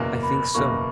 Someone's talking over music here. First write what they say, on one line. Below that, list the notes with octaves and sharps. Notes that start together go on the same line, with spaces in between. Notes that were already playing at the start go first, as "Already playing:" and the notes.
"I think so."
Already playing: F#1 E2 B2 A#3
B5
F#1 E2 B2 A#3 C#6